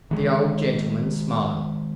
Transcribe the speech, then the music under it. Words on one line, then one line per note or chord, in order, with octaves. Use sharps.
The old gentleman smiled.
D#3 G#3